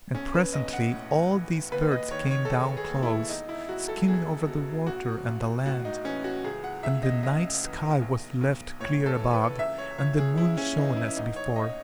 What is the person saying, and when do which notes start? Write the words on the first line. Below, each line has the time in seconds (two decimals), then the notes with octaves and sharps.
And presently all these birds came down close, skimming over the water and the land; and the night-sky was left clear above, and the moon shone as before.
0.14 B1 C#4
0.34 B4
0.53 B1 D#5
0.73 F#5
0.93 A2
1.32 E3
1.72 D#2 B4
1.92 D#5
2.11 D#3 C#5
2.31 C#5
2.45 A4
2.50 D#3 G#4
2.77 G#4
2.90 D#2
3.03 E4
3.29 E1 D#4
3.49 E4
3.69 E1 F#4
3.88 A4
4.08 E2 G#4
4.47 B2
4.87 A1 F#4
5.26 A1
5.65 A2 F#4
5.85 D#4
6.04 E3 C#4
6.24 F#4
6.44 C#2 G#4
6.64 F#5
6.83 C#2 E5
7.03 D#5
7.23 C#3 D#5
7.62 E3
8.01 B1
8.41 B1
8.80 A2 C#5
9.06 A4
9.20 E3
9.33 B4
9.59 C#2 E5
9.78 C#5
9.98 C#2 C#5
10.18 G#4
10.38 C#3 E4
10.57 C#4
10.77 E3 D#4
10.97 E4
11.16 A1 D#4
11.36 C#5
11.56 A1 D#5